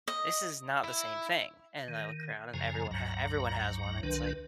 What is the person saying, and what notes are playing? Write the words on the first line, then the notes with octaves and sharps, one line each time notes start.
this is not the same thing." And I look around and everyone ha everyone has one. And it's like
D#5
E4
D#3
F#2 C#3 F3 G#5 A#5
C#2 G2 F#3 A#5
C2 D#3 D4 B4